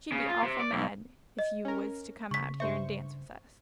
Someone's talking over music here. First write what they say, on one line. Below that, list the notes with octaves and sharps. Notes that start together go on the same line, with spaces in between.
"She'd be awful mad if you was to come out here and dance with us."
C#3
F4
C3
D5
B1
D#5
C#4 A#4
C#3 C#6 B6
G2 C5 E5 C#6